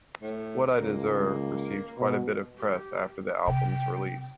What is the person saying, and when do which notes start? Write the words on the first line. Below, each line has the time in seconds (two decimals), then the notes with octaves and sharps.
"What I Deserve" received quite a bit of press after the album's release.
0.23 A2
0.79 C#2 A#3
1.98 B2
2.58 G4
3.48 C3 G5